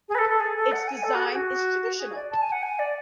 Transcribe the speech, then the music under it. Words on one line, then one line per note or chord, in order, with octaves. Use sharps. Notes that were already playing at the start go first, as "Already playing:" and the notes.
Its design is traditional.
G#4
B4
A4
A4
G#4
A4
F#5
G#5
A4
F#4
G#4
F#4
G#4
D5
A5
G#5
F#5
G#5
D5